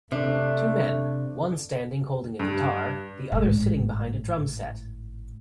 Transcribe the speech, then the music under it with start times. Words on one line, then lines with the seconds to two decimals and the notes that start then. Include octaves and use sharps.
Two men one standing holding a guitar, the other sitting behind a drum set.
0.12 C3 A3 D4
2.39 G2
3.32 G#1 A2